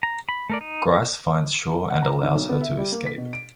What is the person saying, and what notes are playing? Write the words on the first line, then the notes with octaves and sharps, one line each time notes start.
Grice finds Shaw and allows her to escape.
A#5
B5
A3 A#4 D5
D#4
F#5
A#5
G#1
B1
B3
E5
G3
A#3
B6
B2
D7